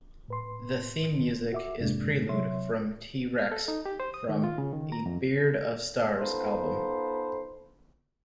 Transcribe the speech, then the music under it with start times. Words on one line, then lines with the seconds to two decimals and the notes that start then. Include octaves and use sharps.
The theme music is "Prelude" by T. Rex from "A Beard of Stars" album.
0.28 A2 B4 C6
1.52 F#4 E5 D6
1.80 F2 G#2 C3 G#3 A#3 D4
2.29 C3 F#3 C#5 E5 C6
3.38 F6
3.52 A4
3.68 D#4
3.86 G4
4.00 C5
4.14 D#6
4.29 D#3
4.44 F4
4.58 C#3
4.73 D#3
4.92 A#5
5.06 F2
6.19 B3 D#4 F4 A4 B4 C5